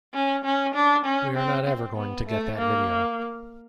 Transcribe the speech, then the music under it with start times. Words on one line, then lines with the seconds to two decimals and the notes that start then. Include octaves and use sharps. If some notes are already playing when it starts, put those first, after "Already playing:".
We are not ever going to get that video.
0.14 C#4
0.45 C#4
0.74 D4
1.05 C#4
1.36 C4
1.67 C4
1.96 B3
2.27 A3
2.58 A#3